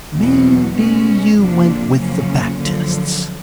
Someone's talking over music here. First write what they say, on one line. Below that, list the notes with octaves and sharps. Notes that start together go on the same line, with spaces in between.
"May be you went with the Baptists?"
E2 B2 F#3
B2 G#3 C#4
F2 C3 F3 A#3 D4
F#2 C#3 F3 A#3 C#4
F#2 D3 F3